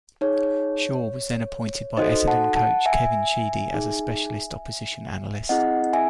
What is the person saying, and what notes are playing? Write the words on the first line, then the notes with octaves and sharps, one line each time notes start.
Shaw was then appointed by Essendon coach, Kevin Sheedy as a specialist opposition analyst.
D#4 G#4 C#5
D#4 F#4 A4 C5 D#5
F#5 A5
F#5 A5
E5 G#5
D#4 G#4
C4 E4 G#4 D#5 F#5
E5 G#5